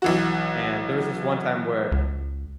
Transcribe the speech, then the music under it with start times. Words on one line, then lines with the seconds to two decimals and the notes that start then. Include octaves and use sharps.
and there was this one time where,
0.02 B1 E3 F#4
1.92 C#2